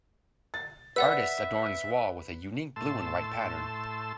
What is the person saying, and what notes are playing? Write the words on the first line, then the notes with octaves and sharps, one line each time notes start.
Artist adorns wall with a unique blue and white pattern.
A6
B4 D5 E5 F#5 E6
A2 A5 C6 E6